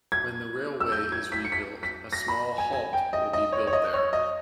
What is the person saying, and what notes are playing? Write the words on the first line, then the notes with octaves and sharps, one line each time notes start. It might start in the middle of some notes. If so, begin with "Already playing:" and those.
When the railway is rebuilt a small halt will be built there.
G#6
E6
G6
G#6
B6
C#7
B6
B6
A#6
B5
G#5
G#5
G5
D#5
D#5
C#5
C#5
D#5
C#5
D#5